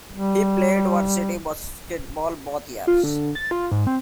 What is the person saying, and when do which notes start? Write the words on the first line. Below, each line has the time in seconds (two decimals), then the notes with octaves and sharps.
He played varsity basketball both years.
0.12 G3
2.87 F4
3.04 D3
3.35 A6
3.51 F4
3.72 G#2
3.87 C4